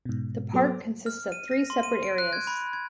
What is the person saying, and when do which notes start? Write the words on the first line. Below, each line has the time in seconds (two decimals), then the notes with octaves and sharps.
The Park consists of three separate areas.
0.05 G#2 B2
0.53 F#3 B3 A4 C5 D6
1.06 F6
1.32 D#7
1.51 A#6
1.70 C6
1.83 D#7
2.03 D7
2.18 F#6
2.33 G#6
2.47 B5
2.73 G#6